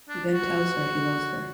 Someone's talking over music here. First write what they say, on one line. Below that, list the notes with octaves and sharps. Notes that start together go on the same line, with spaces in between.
He then tells her he loves her.
D4
F#4